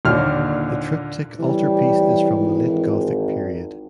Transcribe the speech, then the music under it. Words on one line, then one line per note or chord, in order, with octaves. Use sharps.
The triptych altarpiece is from the Late Gothic period.
D#2 A#2 D3 F6
A2 C3 E3 G3
G#1